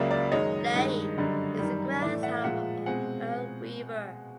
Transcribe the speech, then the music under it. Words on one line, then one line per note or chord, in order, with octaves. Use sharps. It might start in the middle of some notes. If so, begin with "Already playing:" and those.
Leahy is the grandson of Earl Weaver.
Already playing: C#2 C#3 F#3 A#3 D5 E5
D5
F#2 D#3 G#3 C#5 D#5
G2 D#3 G#3
F#2 D3 G3
F#2 D#3 G3
A2 E3 A3 D5 E5
E5 F#5
A#2 F3 G#3 E5 F#5
B2 G#3 C4 F#5 G#5